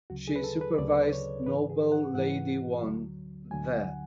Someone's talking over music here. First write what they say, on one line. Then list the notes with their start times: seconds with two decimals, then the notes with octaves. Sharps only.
She supervised Noble Lady Wan there.
0.10 D2 C#3 F#3 F#4
0.28 G#4
0.36 B4
0.44 A4
0.61 B4
0.78 D2 C#3 F#3 D5
1.13 C#5
1.46 G#2 E3 B4
1.70 G#4
1.92 F#5
2.15 G#2 E3 F#5
2.83 D2 D3 F#3
3.51 D2 D3 F#3 G#5
3.74 F#5